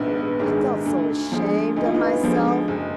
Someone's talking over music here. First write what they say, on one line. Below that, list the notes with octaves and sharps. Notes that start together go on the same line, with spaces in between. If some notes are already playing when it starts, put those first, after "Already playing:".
I felt so ashamed of myself.
Already playing: A#1 G#2 D#3 B3 D4
B3
G#2 D#3 G#3 D4
D4
D2 D4
D3 F3 G#3
D2 D#4
F4
B3 D#4
D3 F3 G#3
F#1